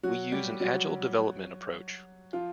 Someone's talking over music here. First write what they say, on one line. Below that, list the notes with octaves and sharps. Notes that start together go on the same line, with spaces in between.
We use an agile development approach.
F#3 F#4
G3 G4
F#3 F#4
F3 F4